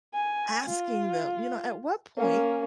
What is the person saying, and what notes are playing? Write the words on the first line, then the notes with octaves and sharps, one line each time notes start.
asking them, you know, "At what point
G#5
F4
A#3 C#4